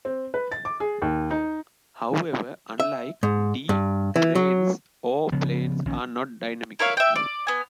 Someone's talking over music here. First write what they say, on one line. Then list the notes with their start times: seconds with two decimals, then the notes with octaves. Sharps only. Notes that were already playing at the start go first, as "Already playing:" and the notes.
However, unlike D-branes, O-planes are not dynamical.
0.05 C4
0.34 B4
0.52 A6
0.65 D6
0.80 G#4
1.02 D#2
1.31 D#4
2.80 E5
3.23 G#2
3.69 G2
4.16 E3
4.35 F#3
5.32 C#3 F3 B3
5.85 A#1 A#2 D#3 C#4
6.79 E4 A#4 C#5 F5
6.97 E5 G5
7.16 D5
7.47 B3 G#5